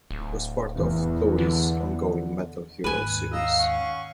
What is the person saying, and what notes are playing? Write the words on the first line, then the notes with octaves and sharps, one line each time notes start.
It was part of Toei's ongoing Metal Hero Series.
D1
E2
D3
D#2 G#2 B4 G#5
D#5 F5 A#5 E6
C#4 F#5